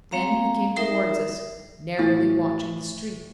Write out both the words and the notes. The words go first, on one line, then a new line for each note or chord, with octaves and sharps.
Then he came towards us, narrowly watching the stream.
G#3 C4 F5 A#5
G3 D#4 A#4 E5 D#6
A2 E3 A6